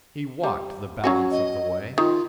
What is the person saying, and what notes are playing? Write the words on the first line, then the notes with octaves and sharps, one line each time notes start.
He walked the balance of the way.
G3
F#3 C#4 F#4
D#5
D#3 F4